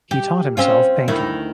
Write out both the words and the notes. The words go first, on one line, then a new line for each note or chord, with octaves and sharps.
He taught himself painting.
G4
C4 C#4 F4
D2 D#3 E4